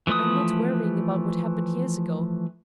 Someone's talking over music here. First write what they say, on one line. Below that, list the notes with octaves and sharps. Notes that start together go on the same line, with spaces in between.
I'm not worrying about what happened years ago.
E3 F3 A3 B4 D#6